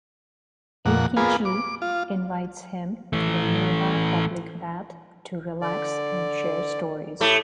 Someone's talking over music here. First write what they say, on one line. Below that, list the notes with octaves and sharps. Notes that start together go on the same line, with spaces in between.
Eikichi invites him to a nearby public bath to relax and share stories.
F2 A#2 F#5
A#3 B3 F4 G#4
D6
F4
E3 A3
D3 D5
A2 A3 G4 B5 D6